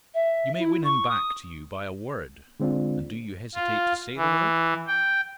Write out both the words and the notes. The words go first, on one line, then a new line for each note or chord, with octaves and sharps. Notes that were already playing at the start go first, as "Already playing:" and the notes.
You may win him back to you by a word--and do you hesitate to say the word?
E5
E4
C#6
D#6
D3 G#3 C4 D4 F4
F4
E3
G5